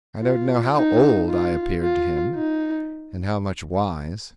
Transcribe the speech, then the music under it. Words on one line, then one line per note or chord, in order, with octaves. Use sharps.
I don't know how old I appeared to him--and how much wise.
F4
D#4
F4
F4
D#4